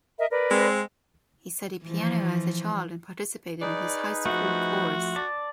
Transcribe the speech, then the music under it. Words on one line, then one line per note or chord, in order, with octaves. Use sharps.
He studied piano as a child and participated in his high school chorus.
A#4 D#5 E5
A#4 B4 D5
G#3 C4
E3 F3
D#4 G#4 B4 D5
F3 A3 F#4
D5 A5